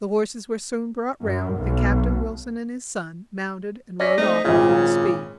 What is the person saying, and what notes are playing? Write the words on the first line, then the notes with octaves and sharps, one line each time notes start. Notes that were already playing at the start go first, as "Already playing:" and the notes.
The horses were soon brought round, and Captain Wilson and his son mounted and rode off at full speed.
F#2
B1
C#4 D5 A#6 B6
A3 C4 D#4
G#1 A#2 C#3 F4